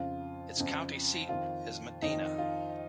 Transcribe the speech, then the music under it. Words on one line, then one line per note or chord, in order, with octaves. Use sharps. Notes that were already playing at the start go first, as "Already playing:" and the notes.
Its county seat is Medina.
Already playing: F2 C#3 F4
F2 C#3
F2 D#3 F4
F2 D#3 D#4
F4